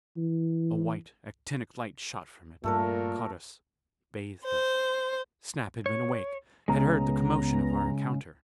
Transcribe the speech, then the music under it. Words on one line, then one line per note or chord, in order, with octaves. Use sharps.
A white actinic light shot from it--caught us, bathed us. Snap had been awake; had heard the commotion of our encounter.
E3
G2 A#2 A3 A4 A#4
C5
C#5
C#2 C#3 G#3 B3 A#5